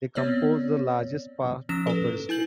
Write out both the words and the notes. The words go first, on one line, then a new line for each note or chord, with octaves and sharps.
They compose the largest part of the district.
B3 C4 C#5 D5
F3 C#4 E6 A#6 E7
A4 B4
E4 G#5 G6 F#7